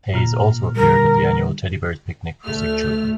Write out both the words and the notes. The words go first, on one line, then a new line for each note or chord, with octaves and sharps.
Hayes also appeared at the annual Teddy bears picnic for sick children.
A#2 A#5 F6
D3 G3 A#4
D2 A3 F6